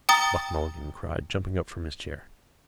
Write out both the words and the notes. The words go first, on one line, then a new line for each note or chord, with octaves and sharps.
Buck Mulligan cried, jumping up from his chair.
G5 A#5 D#6 A6 G7